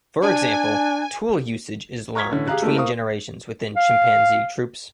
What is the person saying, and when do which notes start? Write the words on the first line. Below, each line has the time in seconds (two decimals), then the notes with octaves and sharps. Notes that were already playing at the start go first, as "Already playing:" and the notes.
For example, tool usage is learned between generations within chimpanzee troupes.
0.23 D4 G#5
2.15 A#5 C#6 F6 G#6 B6
2.31 A2 D3 E3 C#4
2.47 G4 G#4 F5 A#5 F#6
2.62 A3 A#3 E4 G4
2.76 A#4 C5 F5 C#6 D#6
3.77 F5